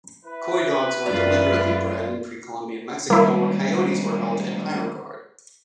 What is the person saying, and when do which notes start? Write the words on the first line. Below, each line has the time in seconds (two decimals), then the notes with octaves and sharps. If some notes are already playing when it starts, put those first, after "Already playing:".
Coydogs were deliberately bred in Pre-Columbian Mexico, where coyotes were held in high regard.
0.24 E4 B4
1.06 F#2 G#3 F4 D5 A#5
3.10 D#3 G3 G#3 A#3 E4